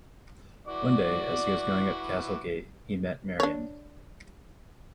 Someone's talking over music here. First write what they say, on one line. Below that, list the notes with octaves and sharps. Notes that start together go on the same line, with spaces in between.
One day, as he was going up Castle Gate, he met Miriam.
E3 F#4 D5 D6
D4 C#5